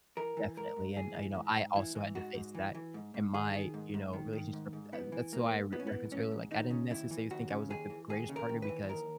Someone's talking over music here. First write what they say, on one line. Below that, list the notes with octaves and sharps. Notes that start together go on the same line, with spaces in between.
definitely, and, you know, I also had to face that in my, you know, relationship, uh, that's why I re reference her. Like, I didn't necessarily think I was, like, the greatest partner because,
E3 A#4
E3
G#2 A#4
G#2
E3 G#4
E3
G#2
G#2
E3 E4
E3
G#2 F#4
G#2
E3
E3
G#2
G#2
D#3 G#4
D#3
G#2
G#2
D#3
D#3
G#2
G#2
E3 B3
E3
G#2 A#3
G#2
E3 B3
C#4
B3
E3
G#2 C#4
G#2
D#2 D#4
C#3
D#2 E4
E3
D#2 F#4
C#3
D#2 G#4
E3
D#2 G#4
C#3
A#4
D#2
B4
E3
D#2 A#4